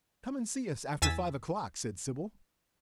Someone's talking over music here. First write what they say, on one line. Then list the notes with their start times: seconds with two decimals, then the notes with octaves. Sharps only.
"Come and see us after five o'clock," said Sybil.
1.02 E2 G#5 E6 A6 B6